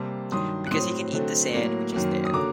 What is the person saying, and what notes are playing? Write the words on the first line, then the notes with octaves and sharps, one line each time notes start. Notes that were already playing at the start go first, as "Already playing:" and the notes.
Because he can eat the sand which is there.
Already playing: C3 G3 A#3 A5 C6
G2 D#3 F#3 C6 D#6
F#6
A2 F#3 C4 C6 D#6
D3 F#3 A3 C4
A2 F#3 A#3
F#2 D#3 F#3 A#3
D#6
D3 F#3 A#3 A#5 D6